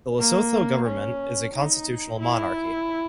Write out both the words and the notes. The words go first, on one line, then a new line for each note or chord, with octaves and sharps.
The Lesotho Government is a constitutional monarchy.
A#3
C#4
D#4
E4